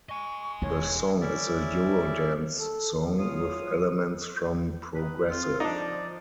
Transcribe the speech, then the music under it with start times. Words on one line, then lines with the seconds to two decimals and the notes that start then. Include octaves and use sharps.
The song is a Eurodance song with elements from Progressive.
0.09 D#5 G#5 C#6
0.62 E1 D#4 C#5
1.21 C#4 E4 D5 E5
2.57 A4
3.18 F#2 F4 C#5 F5 D#6
4.96 D#3 B4
5.29 C4 F4
5.60 F3 D4 D#4 D5